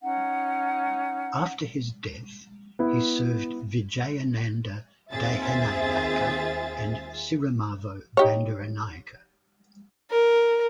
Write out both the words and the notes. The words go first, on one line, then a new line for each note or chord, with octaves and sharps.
After his death, he served Vijayananda Dahanayake and Sirimavo Bandaranaike.
C#4 D#4 F#5
B3 E4
D#2 C4 F4 G#4 E5 A6
D#4 G4 C#5
A#4